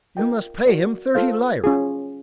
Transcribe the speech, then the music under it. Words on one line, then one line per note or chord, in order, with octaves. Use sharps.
"You must pay him thirty lira."
F4 A#4 D#5 G5
F#4 A#4 D5
F4 A4 C5 F5
C#4 F4 G#4